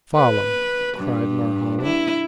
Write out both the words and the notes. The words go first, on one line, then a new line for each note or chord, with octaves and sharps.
"Follow," cried Norhala.
B4
G2
E4